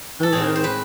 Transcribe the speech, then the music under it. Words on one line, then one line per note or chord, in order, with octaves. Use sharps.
Oh, well.
A4
A2 G#3 C4 G#4
C5
B4